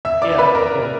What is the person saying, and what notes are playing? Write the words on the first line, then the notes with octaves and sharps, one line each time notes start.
Yeah. Yeah.
E5 E6
D5 D6
B4 B5
A#4 A#5